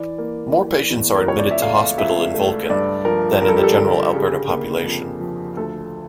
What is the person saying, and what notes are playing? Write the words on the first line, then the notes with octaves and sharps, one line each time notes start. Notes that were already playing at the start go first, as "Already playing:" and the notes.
More patients are admitted to hospital in Vulcan than in the general Alberta population.
Already playing: E3 D5
A#3
E3
E2
A#4
C#2 C#5
D5
E5
A3 F5
C#2 E5
A3
G2 D5
F3 A#4
G2 A#4
A4
G4
A4
D3
C#3 G4
A#3
F2
F3
D2 A4